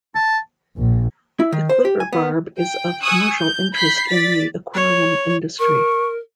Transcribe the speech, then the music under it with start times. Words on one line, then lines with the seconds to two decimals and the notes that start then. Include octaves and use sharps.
The clipper barb is of commercial interest in the aquarium industry.
0.15 A5
0.77 A#1
1.40 E4
1.52 D#3
1.69 C5
1.85 G4
2.00 G#5
2.13 B3
2.59 G5
3.00 G#5 C#6 D#6 E6 F#6
3.37 G6
3.73 B5 G6 B6 C7
4.08 D5 A6 B6
4.74 C#5
5.59 A#4 C#6